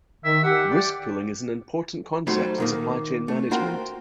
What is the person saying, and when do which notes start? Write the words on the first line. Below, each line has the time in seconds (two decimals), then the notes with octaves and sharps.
Risk pooling is an important concept in supply chain management.
0.25 D#3 E5
0.44 G4 F#5
0.70 D5
2.27 F#3 G3 A3 D#4 G4 C5
2.58 A#2 D#3 A#3
3.28 A3
3.51 A#3 F4 F#4 A#4 C5 G5